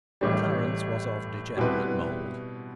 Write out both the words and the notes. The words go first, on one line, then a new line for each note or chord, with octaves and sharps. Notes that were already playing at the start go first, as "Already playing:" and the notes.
Clarence was of degenerate mould.
A1 A2 G3
B2 G3 C4 E4 B4